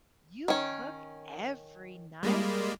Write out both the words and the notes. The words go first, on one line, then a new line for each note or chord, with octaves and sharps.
"You cook every night?"
D#3 C#4
G3 G#3 A#3